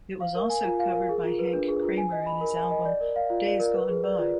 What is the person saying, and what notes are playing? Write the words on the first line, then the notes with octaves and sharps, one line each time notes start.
It was also covered by Hank Cramer in his album, "Days Gone By".
F5
A#4
G#5
F4
F5
A#4
G#4
F4
B4
D4
G#4
F4
G#5
D#5
B5
A#4
G#5
D#5
D5
A#4
F5
F4
D5
A#4
B4
G#4
D5
F4